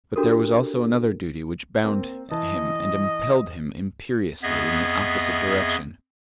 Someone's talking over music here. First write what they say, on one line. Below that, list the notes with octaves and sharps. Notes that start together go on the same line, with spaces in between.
But there was also another duty which bound him and impelled him imperiously in the opposite direction.
D4 F#4 G4 A4 A#4
A#3 C4
E3 D#5 A5
F2 B3 G#4 D#5 E5 G#6